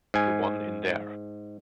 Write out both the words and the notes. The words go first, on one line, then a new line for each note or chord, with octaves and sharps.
The one in there.
G#2 G#5